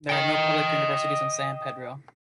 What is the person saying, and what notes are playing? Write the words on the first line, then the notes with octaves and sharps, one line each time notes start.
There are no public universities in San Pedro.
D#5 G5